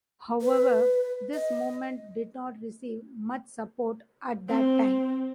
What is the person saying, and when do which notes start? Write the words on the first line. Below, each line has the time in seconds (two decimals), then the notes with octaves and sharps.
However, this movement did not receive much support at that time.
0.41 B4
1.34 D#5
4.48 C4